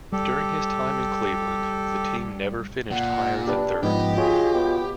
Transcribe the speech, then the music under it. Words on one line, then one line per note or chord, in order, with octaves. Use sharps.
During his time in Cleveland, the team never finished higher than third.
G3 G4 A4
A#2 F#5
D4 G4 B4
G#2 F3 B3 G4 D#5
F4 F#4 G#4 C#5
B3